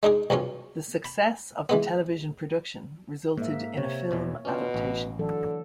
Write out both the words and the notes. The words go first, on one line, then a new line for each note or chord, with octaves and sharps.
The success of the television production resulted in a film adaptation.
G#3 D4 D#4 G#4
B1 G2 F3 C#4
B5
E3 G#3 B3
G#2 A#3 E5
C3 C#5
E2 B2 E3
B2 C#4 D4 F4
A1
D3 E3 F#3 A4